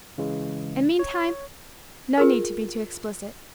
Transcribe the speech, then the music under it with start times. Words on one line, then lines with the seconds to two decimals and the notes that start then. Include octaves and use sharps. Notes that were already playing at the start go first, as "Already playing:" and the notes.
And meantime--no need to be too explicit.
0.18 C#3 E3 G#3
0.99 C#5
2.18 F4 G#4 A#4